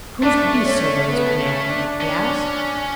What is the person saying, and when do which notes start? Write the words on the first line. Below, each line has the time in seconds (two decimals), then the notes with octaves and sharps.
'Whose beasts are those, my man?' he asked.
0.22 A3 D4
0.67 C#4
1.11 B3
1.40 C#4
1.70 D4
2.00 C#4